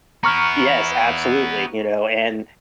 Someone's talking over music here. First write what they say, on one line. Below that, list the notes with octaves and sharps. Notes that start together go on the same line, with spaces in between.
yes, absolutely, you know, and
B3 E4 A#5 C#6 F6